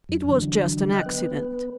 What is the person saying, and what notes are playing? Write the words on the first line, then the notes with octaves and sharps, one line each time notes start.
It was just an accident.'
F#2 F#3
D3 E3 F#3 D4
D#5 G5 F#6
B3 B4